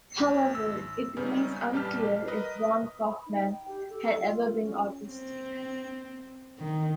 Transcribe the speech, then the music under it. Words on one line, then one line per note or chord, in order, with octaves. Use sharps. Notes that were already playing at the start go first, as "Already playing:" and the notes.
However, it remains unclear if Raun Kaufman had ever been autistic.
C#2
G#1 E6
C#3 G3 B3 C#4 D#4
A#1 G3 G4 B4 A5 F6
A#4 B4 D#5 D#6
B5
D#4
G5
G4
A4
F4
C#4
C4
D#3